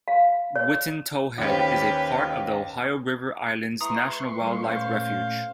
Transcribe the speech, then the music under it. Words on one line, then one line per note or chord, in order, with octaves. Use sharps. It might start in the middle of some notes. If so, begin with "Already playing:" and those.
Witten Towhead is a part of the Ohio River Islands National Wildlife Refuge.
F5
C#5
D#2 C#4 G4 B4 C5
G#3 E4 B4 A#5 C6 C#6 D#6
F2 G3 A#3 D#5
A#2 A3 C#4 C5 F5